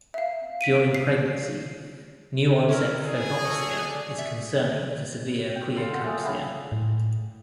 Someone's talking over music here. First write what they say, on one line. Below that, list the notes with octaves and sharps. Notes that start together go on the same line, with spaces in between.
During pregnancy, new-onset photopsia is concerning for severe preeclampsia.
E5 F5
B6 D7 D#7
C7
C#4 E4 A#4
G#4
F#4 A4 C#5
D5 G#5
E5
G5
A4 F5 C6
F#5
A3 A#3 E5 G#5 D#6
C#3 A3 B3
A2